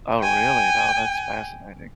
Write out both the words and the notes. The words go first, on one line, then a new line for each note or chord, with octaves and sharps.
Oh, really? Oh that's fascinating.
G5 G#5